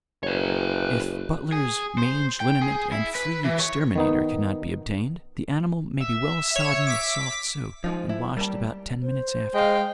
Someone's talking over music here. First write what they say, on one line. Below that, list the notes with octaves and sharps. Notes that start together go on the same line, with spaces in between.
If 'Butler's Mange Liniment and Flea Exterminator' cannot be obtained, the animal may be well sodden with soft soap and washed about ten minutes after.
F#1 B4 C#5
G#4
C5
G5
G#4
E4
B4
E3
C#5
D#3 B3 D#4
E5
C#5
D6 B6
F3 G#3 D#4 F4
E4
G3 A#3 G4 A5
C5
G#3 F5 G5